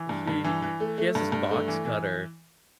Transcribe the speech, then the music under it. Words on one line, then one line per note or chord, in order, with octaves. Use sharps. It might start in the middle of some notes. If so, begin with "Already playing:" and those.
she she has this box cutter
Already playing: E3
G2
G2
E3
E3
A3
A3
G2
G2
A3
E3
E3